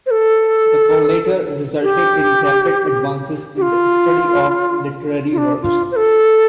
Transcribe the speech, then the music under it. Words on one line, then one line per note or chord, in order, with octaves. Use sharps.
The collator resulted in rapid advances in the study of literary works.
C5
A4
G4
G4
F4
F4
D4
F4
C5
A4